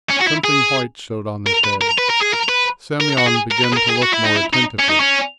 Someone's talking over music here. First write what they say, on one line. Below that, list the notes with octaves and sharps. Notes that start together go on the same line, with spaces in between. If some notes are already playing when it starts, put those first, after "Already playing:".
Something white showed on his head. Semyon began to look more attentively.
C#4
F#4
E4
G#4
A#4
B4
A#4
B4
A#4
G#4
A#4
B4
A#4
F#4
G#4
A#4
B4
G#4
A#4
G#4
F#4
E4
D#4
E4
D#4
C#4
D#4
C#4